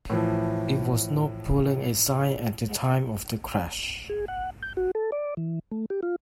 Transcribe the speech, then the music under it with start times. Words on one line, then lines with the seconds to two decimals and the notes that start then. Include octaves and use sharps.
It was not pulling a sign at the time of the crash.
0.10 A2 E3 F3
4.09 G#4
4.28 F#5
4.63 G6
4.77 F#4
4.95 A4
5.12 D5
5.37 E3
5.71 A3
5.90 G4
6.03 F4